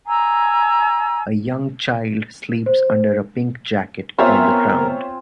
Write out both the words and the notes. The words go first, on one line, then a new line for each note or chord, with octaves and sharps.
A young child sleeps under a pink jacket, on the ground.
G#5 A#5 E6
C5
B3 C4 F4 A#4 C5 C#5 E5 G#5